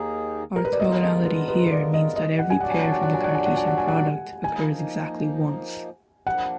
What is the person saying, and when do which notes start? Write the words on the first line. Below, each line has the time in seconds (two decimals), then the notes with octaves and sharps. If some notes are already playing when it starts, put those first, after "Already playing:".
Orthogonality here means that every pair from the Cartesian product occurs exactly once.
Already playing: D#2 D#3 A#3 D#4 G#4
0.56 A#4
0.65 B4
0.73 D5
0.80 D3 G#3 B3 F4 A#4 D#5
1.03 D#5
1.25 B4
1.48 B4
1.66 B4
1.71 D5
1.94 D#5
2.16 D#5
2.39 F#5
2.50 G#5
2.60 A#2 F#3 D4 F#4 D5 F#5
2.71 G#5
2.82 F#5
2.92 G#5
3.02 F#5
3.14 G#5
3.24 F#5
3.35 G#5
3.46 F#5
3.57 G#5
3.67 F#5
3.78 G#5
3.88 F#5
4.44 F3 A#3 D#4 G#5
6.26 F3 A#3 D4 F#5